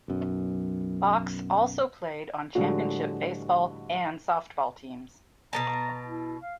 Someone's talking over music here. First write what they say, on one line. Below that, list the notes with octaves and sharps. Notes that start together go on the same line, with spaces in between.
Box also played on championship baseball and softball teams.
B1 F#2
A2 D3 F3 G3 G#3 F#4
B2 A#3 A5 A#5
E4
F5